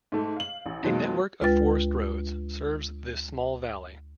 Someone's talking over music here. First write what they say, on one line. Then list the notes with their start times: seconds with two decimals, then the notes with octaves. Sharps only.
A network of forest roads serves this small valley.
0.12 G#2 A3
0.36 F5 F#7
0.66 A1
0.83 F2 B2 D#3 F#3 G#3 A#3
1.41 D2 G#3 F4 B4 G5 A6